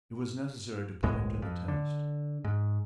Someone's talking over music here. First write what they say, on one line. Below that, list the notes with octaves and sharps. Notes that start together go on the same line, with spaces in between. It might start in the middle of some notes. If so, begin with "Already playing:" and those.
It was necessary to put him to the test.
G1 C2 A2 G#3
F2
D3
G#2